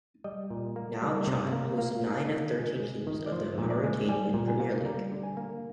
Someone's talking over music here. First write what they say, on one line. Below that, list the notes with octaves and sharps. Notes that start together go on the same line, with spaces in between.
Nouakchott hosts nine of the thirteen teams of the Mauritanian Premier League.
G3 D#5
A#2
A#3
G3
C3
A#3
A#3 F5
A#3
D#3
G#3
G#3
D#3
D5
F3 C5
A#2
D5
G#3
G3 G#5
A#2
G#5
A#3
G3 A#5
D3
G#5
A#3